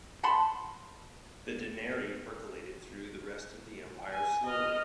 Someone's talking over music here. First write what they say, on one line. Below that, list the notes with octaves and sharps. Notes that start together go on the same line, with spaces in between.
The denarii percolated through the rest of the empire slowly.
F#5 A5 B5 C6
G#5
D#5 F6